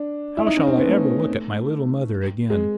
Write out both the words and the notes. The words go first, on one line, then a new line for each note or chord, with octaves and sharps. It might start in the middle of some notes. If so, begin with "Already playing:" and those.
How shall I ever look at my little mother again?
Already playing: D4
E4
D#4
C#4
C4
B3
A3
G#3